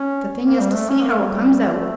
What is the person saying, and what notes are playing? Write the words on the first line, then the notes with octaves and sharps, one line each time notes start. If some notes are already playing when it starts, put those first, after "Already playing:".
The thing is to see how it comes out.
Already playing: C#4
A#3
G3
A3
C#4
A#3
G3
A3